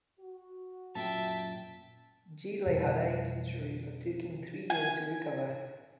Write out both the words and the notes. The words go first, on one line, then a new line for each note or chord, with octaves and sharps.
Gidley had eight surgeries that took him three years to recover.
F#4
F#2 A#2 E5 G5 A5
F2 B2 E3 G3
G#5